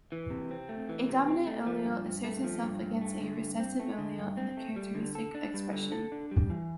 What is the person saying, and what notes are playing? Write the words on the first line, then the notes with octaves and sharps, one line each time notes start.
A dominant allele asserts itself against a recessive allele in the characteristic expression.
E3
C3
C4
A3
E3
C3
C4
A3
F3
G2
G2
A3
F3
G2
G2
A3
D3
G2
C4
A3
D3
G2
C4
A3
G3
D3
A4
D4
G3
D3
A4
D4
G3
E3